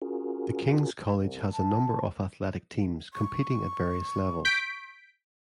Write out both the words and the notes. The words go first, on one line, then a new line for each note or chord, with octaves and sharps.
The King's College has a number of athletic teams, competing at various levels.
C#4 F4 F#4 G#4 A#4
C2
A5
C#6
G6 B6 D7